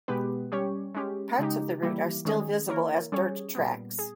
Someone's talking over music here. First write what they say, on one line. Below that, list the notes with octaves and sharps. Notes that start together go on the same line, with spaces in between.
Parts of the route are still visible as dirt tracks.
B2 G#3 B3 G4 B4
G3 C#4 G4 C#5
G#3 C#4 G4
C#3 G#3 D#4 G4
E3 G3 A#3 E4 G4
D#3 G#3 C#4 G#4 D#5
E3 A#3 E4 A#4 C#5
G3 C#4 G#4 C#5
A#2 G3 B3
G#4